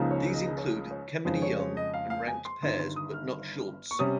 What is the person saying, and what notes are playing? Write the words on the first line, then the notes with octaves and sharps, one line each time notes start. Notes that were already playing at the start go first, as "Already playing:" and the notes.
These include Kemeny-Young and ranked pairs, but not Schulze.
Already playing: C#2 C#3 F3 A#3 D#4
C#5
D#5
C#5
C#5
F2 C#3 F3 G#3 C5
C#5
C#5
D#5
F5
F5
G#5
C6
G1 G2 D#3 C6
C6
D#6
F6
C#6
C3 G3 C#4 D#6